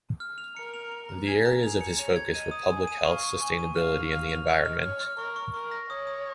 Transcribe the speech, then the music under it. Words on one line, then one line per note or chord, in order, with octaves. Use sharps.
The areas of his focus were public health, sustainability, and the environment.
F6
F7
A#4 C#7
F7
F7
A#5
G#4 G#6
A#5
G#4 F7
C#7
C#5 F7
G#6
D#5 D#7
D#6
G#5 D#6
D#7
F5 C#6
C#6
G#5 C#6
D#7
F5 F6
F7
F5 F6
F7
D#5 F6
F6
C#5 F6
F6
A#4 C#6
C#6
A#4 C#6
A#6
C#5 D#6
D#6